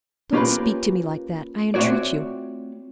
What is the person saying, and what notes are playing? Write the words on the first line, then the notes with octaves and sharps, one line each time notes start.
"Don't speak to me like that, I entreat you."
A#3 C#4 F4 G4 A#4 B4
A3 C4 F4 F#4 C#5 D5